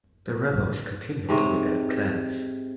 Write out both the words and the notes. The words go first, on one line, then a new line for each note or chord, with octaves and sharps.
The rebels continued with their plans.
G#2 C3 C#5